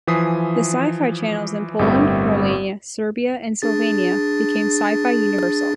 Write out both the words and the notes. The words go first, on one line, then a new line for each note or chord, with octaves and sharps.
The Sci Fi Channels in Poland, Romania, Serbia and Slovenia, became Sci Fi Universal.
E3 F3 G#5 D#6 B6 C7
G1 A2 G3 C4 A#4 E5
D4 G#4 A6